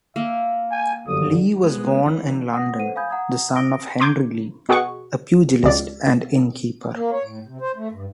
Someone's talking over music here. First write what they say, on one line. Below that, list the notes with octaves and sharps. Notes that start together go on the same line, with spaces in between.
Lee was born in London, the son of Henry Lee, a pugilist and innkeeper.
A#3 E5
G#5
G1 F#2 D3 D#6
G#3 B3
E3
F#5 D#6 A#6
A4 B4 C5 F#5 D#7
F5 G#5 B5 D#6 G6 G#6
F#5 A#5 D#6 G#6
D#6 E6 A#6 D7 G7
A#5 C6 D6 G6 G#6
B2 F#4 G#4 F#5 C#6
C#2 D5
A#3
C#5
A2
C3
C5
A3
G2